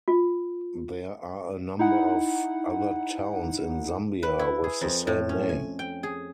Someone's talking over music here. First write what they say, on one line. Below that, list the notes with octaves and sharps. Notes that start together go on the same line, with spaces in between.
There are a number of other towns in Zambia with the same name.
F4
D#4 E4 F#5
B4
E4
G#4
F2
A2
C#4
G#5
G5
G#4